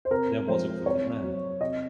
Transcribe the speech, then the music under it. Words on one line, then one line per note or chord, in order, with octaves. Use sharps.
There Was a Crooked Man...
C5
C3 A#4
F3 G#3 C5
C3 C#5
F#3
C3 D#5